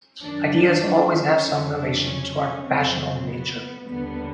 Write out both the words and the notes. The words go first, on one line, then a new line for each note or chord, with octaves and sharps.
Ideas always have some relation to our passional nature.
F#2 D#3 F#3 D4
C#4
F2 C#3 F#3
D4
C#4
C#4
F2 C#3 F#3 C4
B3
D#2 D3 G3 B3